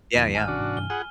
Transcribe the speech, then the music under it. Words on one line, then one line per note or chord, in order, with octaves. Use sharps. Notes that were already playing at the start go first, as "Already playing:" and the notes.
Yeah, yeah.
E2 D3 F3 A#3 E4 D#7
G#1 G#3 G#5 A5 F6
C3 E3 C#4 D4 F#4
G#2
G2 G7
F4 G#4 F#5 G#5 B5